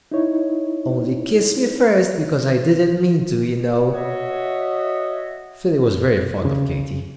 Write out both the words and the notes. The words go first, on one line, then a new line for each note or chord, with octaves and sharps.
"Only kiss me first, because I didn't mean to, you know!"--Philly was very fond of Katy.
D#4 E4 C#5
F#4 C#5 D#5 E5
C#3